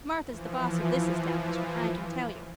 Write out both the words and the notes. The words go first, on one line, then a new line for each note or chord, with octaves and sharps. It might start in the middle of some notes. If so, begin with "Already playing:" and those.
Martha's the boss of this establishment I can tell you.
E3 F3